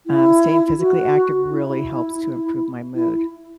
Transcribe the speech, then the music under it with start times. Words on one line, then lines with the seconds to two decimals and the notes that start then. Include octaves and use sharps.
um, staying physically active really helps to improve my mood.
0.07 E4
0.79 F#4
1.51 E4
2.95 E4